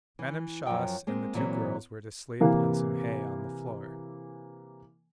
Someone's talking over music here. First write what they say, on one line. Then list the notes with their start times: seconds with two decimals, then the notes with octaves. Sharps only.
Madame Schoss and the two girls were to sleep on some hay on the floor.
0.19 E3
0.67 F#2 F3 F#3 G5
1.07 G#3 A#3 C4
1.34 A#2 E3 F#3 C4
2.40 C3 E3 A#3